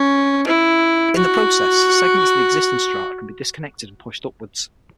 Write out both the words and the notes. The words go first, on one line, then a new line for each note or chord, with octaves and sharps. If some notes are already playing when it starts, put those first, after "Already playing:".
In the process, segments of the existing strata can be disconnected and pushed upwards.
Already playing: C#4
E4
F#4